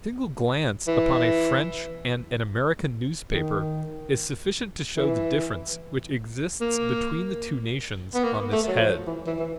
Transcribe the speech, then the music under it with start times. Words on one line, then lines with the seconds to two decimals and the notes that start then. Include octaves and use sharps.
A single glance upon a French and an American newspaper is sufficient to show the difference which exists between the two nations on this head.
0.87 E3
3.33 D#3
4.97 E3
6.61 A#3
8.14 B3
8.24 A#3
8.52 A3
8.68 F#3
8.79 F3
9.07 E3
9.27 E3
9.39 E3